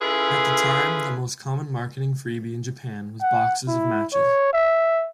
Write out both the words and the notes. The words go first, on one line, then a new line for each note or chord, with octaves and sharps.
At the time, the most common marketing freebie in Japan was boxes of matches.
C#4 E4 F4 G#4 A4 B4
F#5
E4
C#5
E5